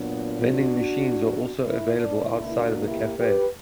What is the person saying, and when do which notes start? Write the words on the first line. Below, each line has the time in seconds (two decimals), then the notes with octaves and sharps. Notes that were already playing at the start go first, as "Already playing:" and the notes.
Vending Machines are also available outside of the Cafe.
Already playing: A#2 F#3 B3 D4
0.42 D4 F#4
1.64 E4
1.96 D4
2.26 C#2 B2 A#3 D4 E4
2.57 D4 F#4
2.87 E4 G4
3.18 G4 B4